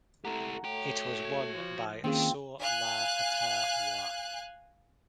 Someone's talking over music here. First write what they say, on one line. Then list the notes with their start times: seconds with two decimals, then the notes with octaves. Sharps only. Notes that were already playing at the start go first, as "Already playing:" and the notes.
It was won by Saw Lah Htaw Wah.
0.25 A3 E4 G4 F#5 A#5
0.64 A3 F#4 C#5 G5
1.25 G#6
1.57 F3
2.04 D#3 A#3 C4 C#4 F4 G#4
2.61 F5 G#5 F#6